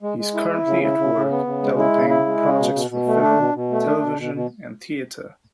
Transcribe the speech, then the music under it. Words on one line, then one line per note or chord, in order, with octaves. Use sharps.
He is currently at work developing projects for film, television, and theater.
G#3
G#3
E4
E4
C#3
E4
C#3
C#3
B3
C#3
G#3
E4
C#3
E4
G#3
C#3
B2
B2
B2
A3
D4
B2
B2
A3
D4
B2
B2
B2